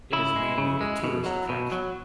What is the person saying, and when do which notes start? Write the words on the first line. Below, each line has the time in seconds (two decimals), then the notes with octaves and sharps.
It is mainly a tourist attraction.
0.13 C#3 E4
0.36 G#3
0.58 C#3
0.81 G#3
1.04 B2
1.26 F#3
1.49 B2
1.72 F#3